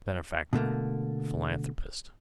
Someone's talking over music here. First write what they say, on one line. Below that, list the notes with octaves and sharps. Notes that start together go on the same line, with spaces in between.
Benefactor; philanthropist.
B2 D3 A3 A#3